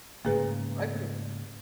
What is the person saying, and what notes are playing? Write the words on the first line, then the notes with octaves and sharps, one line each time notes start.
I would've
G#2 C#3 A3 A#3 G#4 B4